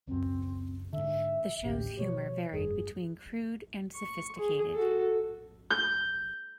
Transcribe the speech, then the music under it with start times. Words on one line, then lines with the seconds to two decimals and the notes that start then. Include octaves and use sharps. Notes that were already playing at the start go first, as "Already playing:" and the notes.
The show's humor varied between crude and sophisticated.
0.07 C#2 F#2 C4
0.93 G#2 D3 E5
1.64 A1 D2 G4
1.99 B2 F3 C#5
2.53 F1 G2 G#4
3.94 C#6
4.38 G#4
4.73 F#4 A4
5.70 G6